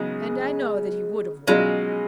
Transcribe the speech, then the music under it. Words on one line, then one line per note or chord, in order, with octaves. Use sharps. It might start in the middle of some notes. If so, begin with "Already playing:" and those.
And I know that he would have won.
Already playing: C#3 F#3 G#3 B3 D#4 G#4
B2 F#3 G#3 C#4 F4